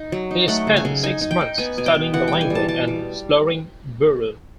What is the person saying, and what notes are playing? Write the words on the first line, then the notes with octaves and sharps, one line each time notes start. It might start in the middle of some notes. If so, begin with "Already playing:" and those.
He spent six months studying the language and exploring Buru.
Already playing: D#4
F#3
D#4
A3 F#5
C#3
G#5
C#3
D#4 G#5
D#4
G5
D#4
B3 G#5
B2 G#5
G5
B3
E3 F#5
G3 G5
G#5
G3
A5
G3 A5
G3